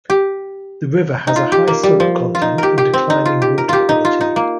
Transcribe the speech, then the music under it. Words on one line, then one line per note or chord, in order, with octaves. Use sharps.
The river has a high salt content and declining water quality.
G4
D#4
F4
G4
A#3
G3
F3
F4
D#4
G4 A#4
G4
C4
D#4
F4
G4
A#4
F4 G4
D#4
F4
D#4
A#3